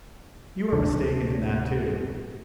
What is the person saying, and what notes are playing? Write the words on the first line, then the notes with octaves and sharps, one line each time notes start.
You are mistaken in that, too.
D2 C3 D4